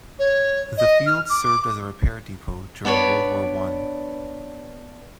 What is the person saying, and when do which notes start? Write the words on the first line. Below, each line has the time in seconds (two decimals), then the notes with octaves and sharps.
The field served as a repair depot during World War One.
0.19 C#5
0.78 D#5
1.06 F6
1.30 D6
2.85 B3 D4 B4 C#5 D5